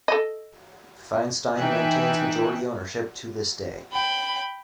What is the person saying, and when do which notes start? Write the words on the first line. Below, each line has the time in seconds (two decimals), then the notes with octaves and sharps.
Feinstein maintains majority ownership to this day.
0.08 A4 D#5
1.56 E3 D#4 E5 G5 G#5 F#6
3.92 G5 B5